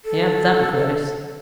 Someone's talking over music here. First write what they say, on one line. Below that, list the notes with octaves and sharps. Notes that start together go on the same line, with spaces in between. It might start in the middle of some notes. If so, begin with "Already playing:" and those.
He had that grace.
A4